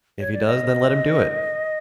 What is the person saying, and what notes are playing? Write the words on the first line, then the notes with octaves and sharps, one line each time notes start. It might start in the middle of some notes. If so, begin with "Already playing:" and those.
If he does then let him do it!
C#5
D5
D#5